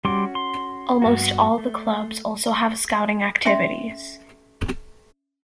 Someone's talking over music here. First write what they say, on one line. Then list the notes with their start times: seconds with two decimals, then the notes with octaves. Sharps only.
Almost all the clubs also have scouting activities.
0.05 G3 C#4 F#4 C6 D6
0.35 C6
1.02 G2 B3 F#4
1.58 A3
3.45 C#4 E5 G5 C6